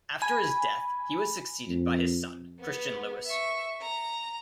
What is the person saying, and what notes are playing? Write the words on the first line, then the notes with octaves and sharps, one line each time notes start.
After his death, he was succeeded by his son Christian Louis.
G#5 B5
F2
B3
E5 C#6
A#5